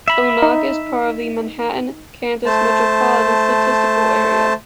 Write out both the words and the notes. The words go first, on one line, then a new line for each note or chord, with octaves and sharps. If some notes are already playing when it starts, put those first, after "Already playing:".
Onaga is part of the Manhattan, Kansas Metropolitan Statistical Area.
E5 B5
D#4
A3 C5 A5